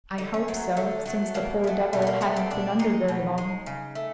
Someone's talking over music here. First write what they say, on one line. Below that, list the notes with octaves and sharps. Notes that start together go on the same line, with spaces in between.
I hoped so, since the poor devil hadn't been under very long.
D3 D#4
C#4
F#3 A3 C4
D3 A3
F#3 A3
B2 A#3
F#3 A3
B2 A3
B3
A#3
F#3 A3 B3
C4
B2 D4
G#3 D#4
B2
G#3
C#3
A3